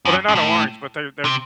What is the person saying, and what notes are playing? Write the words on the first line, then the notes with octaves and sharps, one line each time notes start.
Well, they're not orange, but their their
F#2
F#2
A2
C3